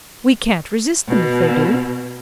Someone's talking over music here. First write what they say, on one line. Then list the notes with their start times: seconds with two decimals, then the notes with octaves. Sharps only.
We can't resist them, if they do.
1.08 B2